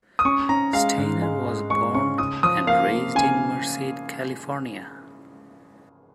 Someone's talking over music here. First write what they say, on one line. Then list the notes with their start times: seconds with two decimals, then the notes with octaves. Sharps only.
Stayner was born and raised in Merced, California.
0.19 D#6
0.25 C#4 C#6
0.49 C#4 A#5
0.73 G#3 F5
0.98 G#2
1.22 G#3
1.46 G#3
1.70 G#3 C#6
1.94 C#4 C#6
2.18 C#3 D#6
2.43 F3 D#6
2.67 A#3 F5
2.92 A#3
3.15 C#3 G#5